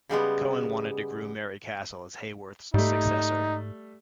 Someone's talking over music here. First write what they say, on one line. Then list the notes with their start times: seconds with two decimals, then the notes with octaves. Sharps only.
Cohn wanted to groom Mary Castle as Hayworth's successor.
0.09 C#3 G3 G#3 B3
2.74 G#2 G3 A3 D#4